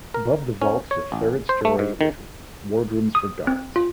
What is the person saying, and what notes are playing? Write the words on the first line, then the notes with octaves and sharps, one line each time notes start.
Above the vault is a third story with wardrooms for guards.
A#4
C#4
C#5
A1
C5
A3
G#2
D#3
D#6
C4
F4